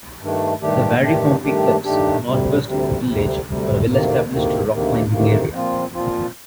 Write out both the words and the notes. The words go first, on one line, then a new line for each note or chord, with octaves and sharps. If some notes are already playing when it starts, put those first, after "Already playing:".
The Varympompi cliffs, northwest of the village, are a well-established rock climbing area.
G2 D#3 A3 D4
G2 D#3 A3 D4 G4
G2 D#3 A3 D4 G4
G2 D#3 A3 D4 G4
G2 D#3 A3 D4 G4
D2 C3 G3
D2 C3 G3
D2 C3 G3
D2 C3 G3
D2 C3 D#3 A#3
D2 C3 D#3 A#3
D2 C3 D#3 A#3
D2 C3 D#3 A#3
A#2 F3 C4 F4
A#2 F3 C4 F4